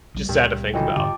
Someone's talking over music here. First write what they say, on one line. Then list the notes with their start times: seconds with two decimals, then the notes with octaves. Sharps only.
just sad to think about.
0.14 A#1 D#3 G3
0.29 C#2 G2 A#2 G3
0.74 D3 E3 F#3 F4 D#5 G5
0.96 E1 G#2 D3 G3 A5 D6